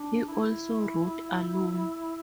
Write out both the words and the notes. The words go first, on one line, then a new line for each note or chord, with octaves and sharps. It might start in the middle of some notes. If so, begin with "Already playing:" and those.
He also wrote alone.
Already playing: D4
E4